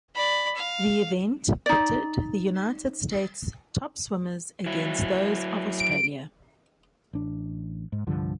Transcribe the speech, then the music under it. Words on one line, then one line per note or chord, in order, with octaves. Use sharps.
The event pitted the United States' top swimmers against those of Australia.
D5 B5
F5
D#4 D5
F#3 E4
D7
A1 D4
G#2
C2 G2 D3 F3